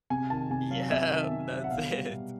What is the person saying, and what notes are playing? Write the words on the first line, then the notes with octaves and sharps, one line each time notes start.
Yep, that's it.
C3 G#5
D#3 A5
C3 G#5
F#3 F5
C3 E5
D#3
C3
F#3
F#5
B2 F5
G3
B2